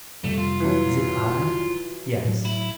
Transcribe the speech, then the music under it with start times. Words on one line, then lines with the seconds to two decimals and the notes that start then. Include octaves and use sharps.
"Is it I? Yes."
0.24 F2 C3 G3 A3
0.38 F4
0.60 E3 F#3
2.25 A2 F#3
2.45 E4